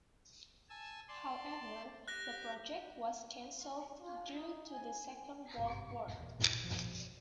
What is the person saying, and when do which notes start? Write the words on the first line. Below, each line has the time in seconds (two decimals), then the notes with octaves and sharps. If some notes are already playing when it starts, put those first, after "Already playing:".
However, the project was cancelled due to the Second World War.
0.69 G#5 A5 E6
1.08 D5 A5 C6
2.08 G4 F#6 G6 A#6
4.01 F4
4.32 D#4
4.69 G#5
5.57 G#1 G2 C3
6.20 E2 A#2
6.63 F2 B2 F3